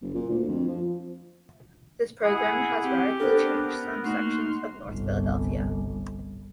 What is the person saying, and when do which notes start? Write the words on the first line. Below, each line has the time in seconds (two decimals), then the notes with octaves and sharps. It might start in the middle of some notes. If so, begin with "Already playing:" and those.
This program has radically changed some sections of North Philadelphia.
0.01 F#1
0.14 A#2
0.30 D2
0.48 F2
0.67 F3
2.23 E4 G#4 F#5
2.83 C4 G4
3.20 B3 D4 A4 A#4 C5
4.05 A3 A#3 D#4 F#4 C6 F6 F#6
4.83 G1 C2